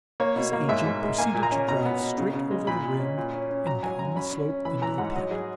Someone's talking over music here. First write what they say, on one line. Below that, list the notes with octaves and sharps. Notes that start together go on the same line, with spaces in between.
His agent proceeded to drive straight over the rim and down the slope into the pit.
A#3 C#5
B2
A#3
G#2 E5
G#2
G#3
A#3 G#5
A#2
A#5
C#4
B2 A#5
B3
B2
C#3
C#3
G#3
A#2 B5
A#2
C#4
A#2
C#4
C#4
F#3 A#5
F#3 G#5
F#2 A#5
C#4 B5
C#4
C#4
E3 B5
E3 A#5
G#2 F#5
F#3 D#5
F#3 G#4